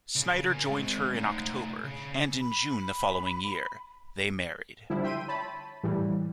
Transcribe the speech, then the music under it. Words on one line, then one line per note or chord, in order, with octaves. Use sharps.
Snider joined her in October, and in June the following year, they married.
C#3
A#4 G#5
G#3 C4
A3 D#4
C#3
B5
D3 F3 G3 E4
E5 G5 C6 D#7
C#5 A5 B5
A2 E3 G3